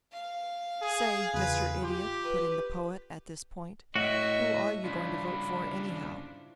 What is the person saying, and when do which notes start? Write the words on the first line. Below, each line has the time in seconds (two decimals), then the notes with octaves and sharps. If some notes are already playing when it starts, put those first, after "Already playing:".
"Say, Mr. Idiot," put in the Poet, at this point, "who are you going to vote for, anyhow?"
0.12 F5
0.82 G#4
1.34 E2 C#3 F4 G#4 B4
1.83 F4 G4 C6
2.22 B4
3.95 A2 F#4 D#5 E5
4.84 G2 C#3 C4 D4 E4 F4 B5